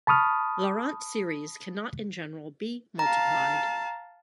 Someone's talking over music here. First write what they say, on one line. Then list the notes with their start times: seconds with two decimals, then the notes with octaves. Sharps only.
Laurent series cannot in general be multiplied.
0.07 A5 B5 C#6 D#6 F6
2.99 F5 A5 A#5